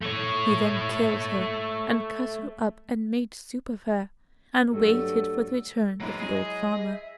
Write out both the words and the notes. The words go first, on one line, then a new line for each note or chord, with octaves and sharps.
He then killed her and cut her up and made soup of her, and waited for the return of the old farmer.
A3 C#5
G2 F#3 A3 A4
F#3 G#3 A#3 E4 B4 A#5
G#4 D#5
E5